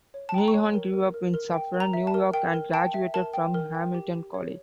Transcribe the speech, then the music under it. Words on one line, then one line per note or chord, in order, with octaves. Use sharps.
Meehan grew up in Suffern, New York, and graduated from Hamilton College.
C#5
A5
G5 A#5
C#6
C#5
A#4
A#4
A#4
A#4
G5
A#4
A#5
E5
A5
A#4
A#4 G5
A#4
G5 A5
E5
A#4 A5
G5
A#4
G5
G4
G4
C#5